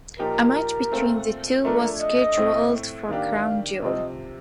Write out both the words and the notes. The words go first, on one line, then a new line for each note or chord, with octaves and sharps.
A match between the two was scheduled for Crown Jewel.
A#2 F3 A#3 D#4 G4 A#4
A#2 A3 C4 F4 A4
F3 A3 D4 A4 A#4
D#5
A2 A3 C4
D#3 A#3 D4 G4 F5
C3 F3 C4 D#5